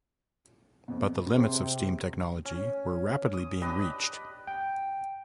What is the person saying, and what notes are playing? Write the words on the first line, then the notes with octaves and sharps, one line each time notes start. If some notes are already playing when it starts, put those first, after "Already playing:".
But the limits of steam technology were rapidly being reached.
F2 B2
C3 G#4 C5
C#4
D#6
D4 G4 B4 D#5
G5